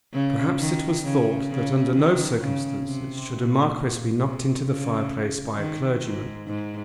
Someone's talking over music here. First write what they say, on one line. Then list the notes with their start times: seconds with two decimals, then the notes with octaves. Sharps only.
Perhaps it was thought that under no circumstances should a Marquis be knocked into the fireplace by a clergyman.
0.14 C#3
0.60 D#3
1.04 C#3
1.50 C#3
1.95 D#3
2.40 C#3
2.85 C3
3.32 A#2
4.22 C3
4.67 C#3
5.58 D#3
6.03 G#2
6.48 G#2